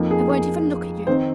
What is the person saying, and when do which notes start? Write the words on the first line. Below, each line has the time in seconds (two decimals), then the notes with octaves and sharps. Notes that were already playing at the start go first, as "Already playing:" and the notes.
I won't even look at you.
Already playing: F2 F3 A#3 D#4
0.11 G#4
0.29 G#4
1.07 D#3 C4 D#4 C5